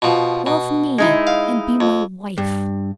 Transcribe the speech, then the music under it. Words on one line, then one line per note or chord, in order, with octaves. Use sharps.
Love me and be my wife.
B2 F3
B2
G#3 D#4 E4
F5
F2
G2